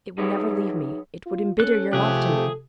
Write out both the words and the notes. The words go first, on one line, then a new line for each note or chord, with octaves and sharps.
It would never leave me; it would embitter your love to me.
F#3 D#4 G#4 B4 C#5 E5
F4
C#4 A4 F#6
C3 F3 A3 G4 G#4 F#6
A4